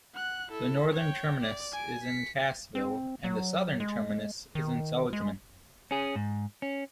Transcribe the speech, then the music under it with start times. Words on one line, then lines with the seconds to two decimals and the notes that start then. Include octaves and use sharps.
The northern terminus is in Cassville and the southern terminus is in Seligman.
0.14 F#5 F#6
0.51 E4 A4
0.92 C#5 G5
1.41 D5
1.72 G#5 D7
2.03 B6 C#7
2.75 C4
3.24 F#3
3.80 G#3
4.55 D#3
5.13 G#3
5.91 C#4 G#4
6.16 G#2
6.62 C#4